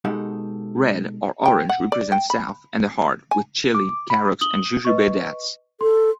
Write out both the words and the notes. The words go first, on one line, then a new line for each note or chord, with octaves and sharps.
Red or orange represents South and the heart, with chilli, carrots, and jujube dates.
B2 G#3 D#4 G4 A4 F#5
G5
F#5
D5
G5
B5
G#5
D6
B5
D#6 F#7 G7
B4 D#5 C#6
A4 C6